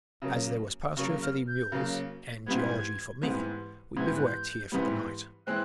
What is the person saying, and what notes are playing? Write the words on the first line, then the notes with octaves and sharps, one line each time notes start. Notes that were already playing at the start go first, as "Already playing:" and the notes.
As there was pasture for the mules, and geology for me, we bivouacked here for the night.
C#3 F#3 A#3
C#3 F#3 A#3 C#6
F6
G6
C#3 F#3 A#3
G#2 E3 G3 B3 G#6
G#6
G#2 E3 G3 B3
G#2 E3 G3 B3 G#6
G6
F#6
G6
G#2 E3 G3 B3
E3 G#3 C4 F#6